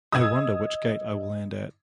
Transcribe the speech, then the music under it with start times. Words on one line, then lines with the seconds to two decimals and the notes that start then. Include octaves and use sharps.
I wonder which gate I will land at.
0.12 D#5 D#6 E6 G#6